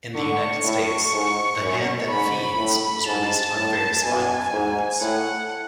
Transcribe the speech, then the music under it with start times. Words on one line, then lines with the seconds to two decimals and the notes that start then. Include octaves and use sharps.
In the United States, "The Hand That Feeds" was released on various vinyl formats.
0.15 D3 C#6
0.64 A2
1.13 G#2
1.61 F#2
2.09 G#2 B5
2.57 A2
3.06 G#2 A5
3.56 A2
4.04 B2 G#5
4.53 G#2
5.01 A2 F#5